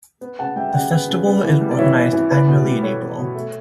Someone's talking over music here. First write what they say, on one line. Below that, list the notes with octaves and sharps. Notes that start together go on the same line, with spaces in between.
The festival is organized annually in April.
B3
C#3 F#5 A5
G3 E5 G5
G5
C#3 D5 F#5
B3
C#3
B3
E3
G3
D5
E3 C#5 E5
B3
E3
B3 B4 D5
B2
G3
B2 A4 C#5
B3
B2
A3